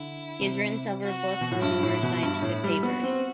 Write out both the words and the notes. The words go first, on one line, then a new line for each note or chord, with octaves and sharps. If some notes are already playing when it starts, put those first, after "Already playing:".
He has written several books and numerous scientific papers.
Already playing: D3 E4
C3
F#4
B2
A2
G2 E4
A2
B2
G2
A2
G3
B3 F#4
C4